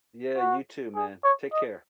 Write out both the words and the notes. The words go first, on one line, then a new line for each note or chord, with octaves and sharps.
Yeah, you too, man. Take care.
F#4
G#4
C#5
D#5